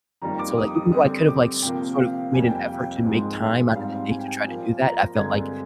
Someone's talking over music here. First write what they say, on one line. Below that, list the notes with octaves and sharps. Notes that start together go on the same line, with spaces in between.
and, so, like, even though I could have like so sort of made an effort to make time out of the day to try to do that, I felt like,
F2 D#3 G3 A#3 A#5
D6
D#6
D#6
D3 G3 C4 D#6
D6
C3 F3 A#3 G5
F5
F2 C3 G3 A#3 G#5
G5
F5
G5
G#2 F3 G#3
G#2 G3 C4 F5
G#5
G5
G#5
A#2 F3 A#3
A#5
G2 D3 G#3 C4 G#6